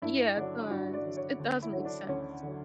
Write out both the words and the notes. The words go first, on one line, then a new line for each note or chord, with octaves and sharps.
Yeah, it does. It does make sense.
G2 E4
D3 F#3 D4
G2 F#4
D5
D3 F#3
C#5
D2
E4
D3 F#3
D4
D2 C#4
D3 F#3